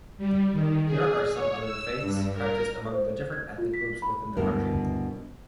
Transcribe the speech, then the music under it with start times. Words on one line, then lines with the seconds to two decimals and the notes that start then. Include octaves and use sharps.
There are some other faiths practiced among the different ethnic groups within the country.
0.18 G3
0.52 D#3
0.84 G#4
1.33 C#5
1.61 E6
2.00 G2
2.33 A#4
2.92 C5
3.32 G#6
3.58 F4
3.74 B6
4.02 B5
4.37 D2 G2 B2 E4 A#4